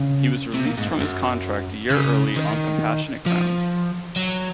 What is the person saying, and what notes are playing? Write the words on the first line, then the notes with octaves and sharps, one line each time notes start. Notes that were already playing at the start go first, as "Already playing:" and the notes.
He was released from his contract a year early on compassionate grounds.
Already playing: C#3
C3
A#2
G#2
F#2
F#2
C#3
D#3
F3
F#3